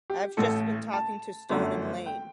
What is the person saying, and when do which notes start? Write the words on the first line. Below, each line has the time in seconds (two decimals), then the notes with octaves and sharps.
I've just been talking to Stone and Lane.
0.10 G4
0.37 A1 A2 A3 A4
0.93 A5
1.49 G1 F#2 D3 A3
2.06 G5